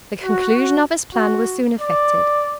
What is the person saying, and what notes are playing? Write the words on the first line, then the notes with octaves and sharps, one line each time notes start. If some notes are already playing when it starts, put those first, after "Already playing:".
The conclusion of his plan was soon effected.
F#4
F#4
D5